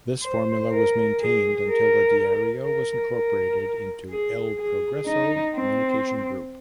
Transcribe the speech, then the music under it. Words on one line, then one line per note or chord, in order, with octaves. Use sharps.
This formula was maintained until the Diario was incorporated into "El Progreso" Communication Group.
C5
A#4
G#4
A#4
A#4
A#4
G#4
G#4
D#4
C4